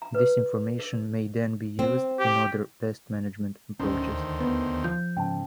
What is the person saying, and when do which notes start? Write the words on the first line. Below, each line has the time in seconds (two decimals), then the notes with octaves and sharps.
This information may then be used in other pest management approaches.
0.02 A#5
0.15 B4
0.79 A#4
1.79 C4
2.19 G4
3.80 D1 D2 D#3 C#4 C5
4.09 D#2
4.40 B3
4.84 F3 G6
5.17 G#2 C#3 G5 A5